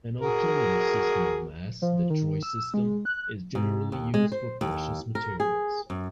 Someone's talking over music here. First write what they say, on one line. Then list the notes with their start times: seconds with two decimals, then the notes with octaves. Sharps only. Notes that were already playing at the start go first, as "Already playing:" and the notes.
An alternative system of mass, the troy system, is generally used for precious materials.
0.21 F#4 G#4 A#4
1.82 F3
2.10 D#3
2.43 E6
2.74 G#3
3.05 F#6
3.55 G#2
3.92 D#2
4.14 G#3
4.32 C5
4.61 D#2
5.15 A#4
5.40 G#4
5.90 F#2